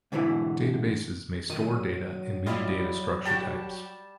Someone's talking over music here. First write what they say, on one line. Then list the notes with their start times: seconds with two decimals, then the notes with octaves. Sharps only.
Databases may store data in many data structure types.
0.12 G#2 B2 D3 E3 B3 E4
1.50 A#2 D#3 F#3 D#7
2.46 G3 E4 F4 D#5
3.25 F#4 G4 G5 A5